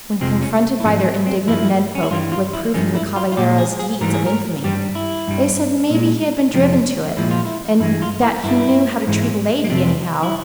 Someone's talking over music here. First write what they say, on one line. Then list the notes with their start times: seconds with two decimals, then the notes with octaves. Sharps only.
When confronted by their indignant men folk with proof of the /caballero's/ deeds of infamy, they said maybe he had been driven to it, and that he knew how to treat a lady, anyhow.
0.21 F2 C3 F3 G#3 C4
0.42 C#4
0.80 E4
0.84 G#2 F3 G#3 C#4
1.06 C4
1.27 C4
1.47 G2 F3 G#3 E4
1.95 C#4
2.03 E4
2.11 G2 E3 G3 F4
2.32 F4
2.53 E4
2.74 G2 F3 G#3 C#4
2.95 E4
3.16 F4
3.32 F4
3.37 A#2 G#3 G4
3.58 G#4
3.79 G#4
4.01 G#2 E3 G3 A#4
4.14 G#4
4.26 A#4
4.64 G2 G3 G4
4.95 E4
5.28 G2 G3
5.90 A#2 G#3
6.54 F2 C3 F3 G#3 C4
7.17 A#2 F3 G#3 E4
7.31 F4
7.45 E4
7.80 G2 E3 G#3 E4
8.02 F4
8.23 E4
8.43 G2 G3 E4
9.07 G#2 E3 G#3
9.64 A#3
9.70 F2 C3 G3 C4
10.23 E4